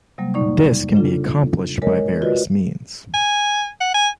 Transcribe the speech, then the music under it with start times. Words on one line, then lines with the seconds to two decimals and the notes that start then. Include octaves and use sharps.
This can be accomplished by various means.
0.18 C3 F#3 G3 A#3
0.34 F2 A#3 D#4 D5 C#6
0.94 C#3 D4 F4 A4
1.82 G#3 A#4 C#5 D#5
2.22 F4 F#4 B4 D5 D#5
3.14 G#5
3.81 F#5
3.94 G#5